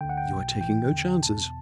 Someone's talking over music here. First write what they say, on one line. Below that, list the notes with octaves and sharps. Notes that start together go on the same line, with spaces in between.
"You are taking no chances."
D2 D3 G5
F#5
G5
B1 B2
A1 A2 E3 G5
E2 D3
E2 B2 A5